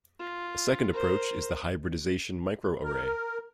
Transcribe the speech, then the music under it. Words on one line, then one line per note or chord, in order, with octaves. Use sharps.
A second approach is the hybridization microarray.
F4
A#4 C5
A#4